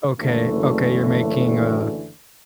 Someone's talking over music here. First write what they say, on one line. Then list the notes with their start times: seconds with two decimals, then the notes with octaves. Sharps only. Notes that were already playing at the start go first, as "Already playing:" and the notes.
okay, okay, you're making a
0.20 F#1 D3 E3 A3